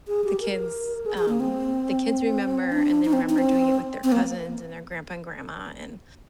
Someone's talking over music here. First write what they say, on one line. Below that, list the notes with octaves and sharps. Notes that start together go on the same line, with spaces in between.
the kids um, the kids remember, and they remember doing it with their cousins and their grandpa and grandma, and
G#4
G4
A#4
G#4
G#4
A#3
C4
D4
D#4
C4
D#4
C4
C4
A#3